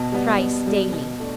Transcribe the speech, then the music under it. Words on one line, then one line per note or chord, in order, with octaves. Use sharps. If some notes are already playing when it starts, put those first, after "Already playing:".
Thrice daily.
Already playing: B2 A5
G3 B3
B2
G3 B3
B2
A3 D4